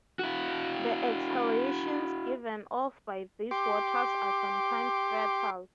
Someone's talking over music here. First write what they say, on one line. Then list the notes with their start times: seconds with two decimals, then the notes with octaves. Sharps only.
The exhalations given off by these waters are sometimes fatal.
0.19 E4 F#4
3.51 G4 C6 D6